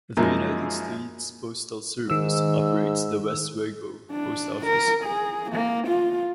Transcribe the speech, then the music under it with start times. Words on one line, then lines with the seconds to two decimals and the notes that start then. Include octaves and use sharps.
The United States Postal Service operates the Westwego Post Office.
0.17 F#2 F3 G#3 A#3 D#4 E4
2.10 G#2 D#3 E6
4.12 D4
4.66 A#4
5.04 G#4
5.51 A#3
5.88 F4